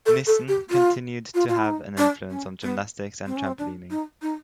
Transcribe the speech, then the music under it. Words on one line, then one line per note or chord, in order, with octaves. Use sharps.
Nissen continued to have an influence on gymnastics and trampolining.
A4
A4
G4
F4
F4
F4
E4
D#4
D4
C#4
B3
C4
C#4
C4
D4
D#4
D#4